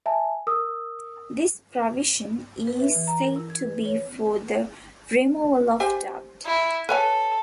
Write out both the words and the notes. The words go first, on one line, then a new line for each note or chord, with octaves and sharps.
This provision is said to be for the removal of doubt.
E5 G#5 A5
A#4 D#6 E6
B4
E5
E3
A#5
A#4
E4
G#6
B4
C#5
G4 C5 G#5
E4
A4 B4 C#5 G#5